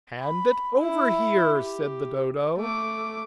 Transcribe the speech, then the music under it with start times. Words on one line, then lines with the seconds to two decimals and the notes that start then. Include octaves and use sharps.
'Hand it over here,' said the Dodo.
0.21 B5
0.81 E4
1.58 G4
2.57 A3 D6